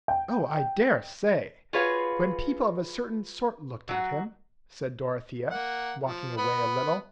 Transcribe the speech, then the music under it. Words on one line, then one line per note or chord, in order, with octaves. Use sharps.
"Oh, I dare say! when people of a certain sort looked at him," said Dorothea, walking away a little.
G5
F4 F#4 G#4 B4 C#5 F5
F#3 F#4
A#3 F#5
F3
B3 B5